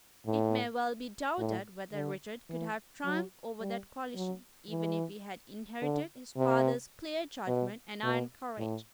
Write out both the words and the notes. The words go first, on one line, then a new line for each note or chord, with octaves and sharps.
It may well be doubted whether Richard could have triumphed over that coalition, even if he had inherited his father's clear judgment and iron courage.
A2
A2
D3
E3
F#3
G3
F#3
E3
D3
C3
B2
B2
A2